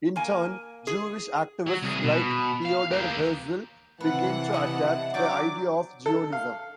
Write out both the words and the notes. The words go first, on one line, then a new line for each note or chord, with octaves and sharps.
In turn, Jewish activists like Theodor Herzl began to adopt the idea of Zionism.
A#3 G#5
G#4
F#3
C2 G#4
B2
F5
A#3 G4
C3 E3 B4 F#5 A5
B3 E4 D#5
F#3 D4 D5 G5 C#6 D6
A4
F5